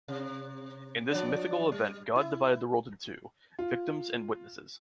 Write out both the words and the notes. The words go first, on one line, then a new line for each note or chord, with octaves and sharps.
In this mythical event God divided the world in two, victims and witnesses.
C3
F3 D4 D5
G3
E4
F4